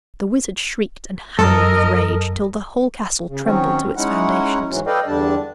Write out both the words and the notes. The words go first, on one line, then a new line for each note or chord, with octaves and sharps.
The wizard shrieked and howled with rage, till the whole castle trembled to its foundations.
F#2 A4 A#4 D#5
C#3
D#3 F#3 C4 C#4
G#3 C#4 D#4 E4 F#5
G#2 E3 F#3
A4 B4 D5 D#5 F5 G5
E2 D3 G3 D4 A5